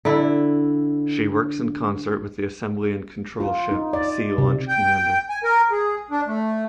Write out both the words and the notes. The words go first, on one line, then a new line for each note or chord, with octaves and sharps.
She works in concert with the assembly and control ship "Sea Launch Commander".
D3 E4
F4
D#4
D5
C3
G5
G#5
A#4
G#4
D4
A3